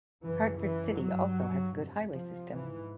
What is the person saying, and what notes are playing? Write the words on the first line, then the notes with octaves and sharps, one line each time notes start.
Hartford City also has a good highway system.
F#2 C#3 E3
E3
G2 F#3
F2 C3
F3
G#2 E3